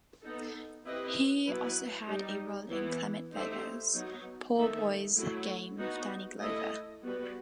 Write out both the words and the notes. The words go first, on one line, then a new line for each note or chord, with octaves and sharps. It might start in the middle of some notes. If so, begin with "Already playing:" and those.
He also had a role in Clement Virgo's "Poor Boy's Game", with Danny Glover.
B3 D#4 A4
C4 E4 G4 B4 D#5
F#3 B3 E4 B4
G3 D#4 G4
E3 B3 E4
A3 D#4 G4 C5 E5
F#3 B3 D#4
D#3 A3 D#4 A4 E5
F#3 A3 E4
B3 D#4 F#4
A3 E4 A4 D#5
G3 B3 F#4 B4